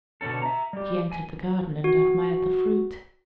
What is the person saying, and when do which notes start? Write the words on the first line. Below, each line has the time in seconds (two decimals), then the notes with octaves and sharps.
She entered the garden and admired the fruit.
0.21 B2 D3 G#3 C#4 A4
0.42 E5 A#5
0.73 G3 G4
1.12 G#5
1.84 F#4